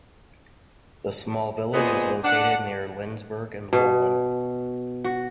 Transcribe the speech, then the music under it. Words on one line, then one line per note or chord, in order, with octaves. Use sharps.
The small village is located near Lenzburg and Wohlen.
A#2 B3 G#4 C5 D#5
D4 F#5
B2
F#4